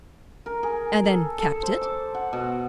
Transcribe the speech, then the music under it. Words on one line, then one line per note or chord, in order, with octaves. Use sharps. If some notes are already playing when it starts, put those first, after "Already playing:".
"And then kept it?"
A#4
G#4
A4
A4
C5
D6
F#5
B2